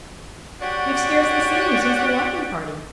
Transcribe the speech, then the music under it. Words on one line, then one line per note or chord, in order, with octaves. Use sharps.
We have scarcely seen you since the walking party.
F#4 G4 C#5 D5 F#5